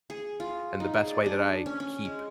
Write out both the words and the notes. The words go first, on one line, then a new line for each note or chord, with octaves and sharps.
And the best way that I keep
G#4
F4
D#4
G#4
D5
D4
C#4
C#4
G#3